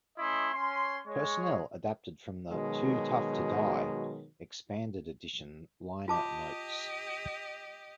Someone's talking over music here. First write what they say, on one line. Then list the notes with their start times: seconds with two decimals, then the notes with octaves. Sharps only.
Personnel adapted from the "Too Tough to Die" expanded edition liner notes.
0.18 A3 C#4 E4 D#5 C6
0.54 C#4 C6
1.06 G#3 C#5
2.51 B2 D#3 F#3 G#3
6.08 F4 G4 D#5 A5 D6